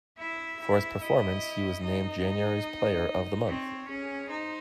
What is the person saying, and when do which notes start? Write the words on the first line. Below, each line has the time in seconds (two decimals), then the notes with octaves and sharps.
For his performance, he was named January's Player of the Month.
0.18 E4 E5
0.60 E4
1.01 E4 D#5
1.83 D#4 D#5
3.47 C4 C#5
3.88 C#4 G#4
4.29 D#4 C5